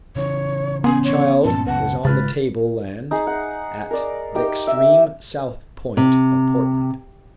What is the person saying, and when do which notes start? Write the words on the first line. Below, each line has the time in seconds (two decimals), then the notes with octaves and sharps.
The child was on the table-land at the extreme south point of Portland.
0.16 C#3 E3 C#5
0.84 B3 C#4 G#5 C6
1.04 C#5
1.45 G2 A#2 A5
1.67 C#2 F#2 C#3 B4 F#5 A5
2.05 G#1 C#3 G#3 F4 B4 F6 A6
3.11 D#4 G#4
3.27 F#5
3.91 A#4 D5
4.35 D#4 G4 G5
4.67 E5
5.97 C3